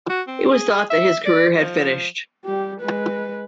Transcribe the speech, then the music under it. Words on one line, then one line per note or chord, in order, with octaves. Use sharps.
It was thought that his career had finished.
F#4
C4
G#4
E5
D5
F3
G3 G4
G#3 B4